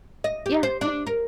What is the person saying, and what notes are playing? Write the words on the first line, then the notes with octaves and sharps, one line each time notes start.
Yeah, yeah.
D#5
G4
C5
D4
A#4